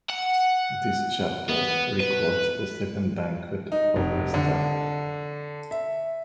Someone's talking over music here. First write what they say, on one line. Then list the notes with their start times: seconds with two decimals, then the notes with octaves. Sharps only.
This chapter records the second banquet of Esther.
0.09 F#5
1.49 B3
2.00 B4
3.72 D#4
3.96 F1
4.34 D3
5.71 E5